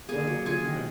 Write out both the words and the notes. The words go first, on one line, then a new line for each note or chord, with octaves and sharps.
Well, that's okay.
A#3 G#4 G#5
F#3
F4 G#4 G#5
D#3